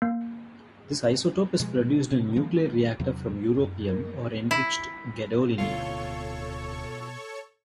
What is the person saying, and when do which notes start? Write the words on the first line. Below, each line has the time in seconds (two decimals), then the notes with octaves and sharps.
This isotope is produced in a nuclear reactor from europium or enriched gadolinium.
0.02 A#3
1.60 B2 F3 G#3
2.11 C3
2.36 D#3 F3 G#3 A#3
3.00 E2 C3 F#3
3.57 F#2
3.89 A#4
4.51 E4
5.58 D1 B2 F4 A4 C#5 C#6